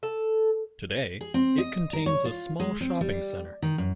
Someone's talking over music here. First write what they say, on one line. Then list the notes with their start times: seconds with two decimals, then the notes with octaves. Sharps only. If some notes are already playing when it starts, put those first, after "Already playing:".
Today it contains a small shopping centre.
0.03 A4
1.21 G#4
1.34 C4
1.58 D#5
1.93 A#4
2.06 C#5
2.25 F4
2.60 G#3
2.81 C4
3.01 G3
3.62 D#3
3.78 F#2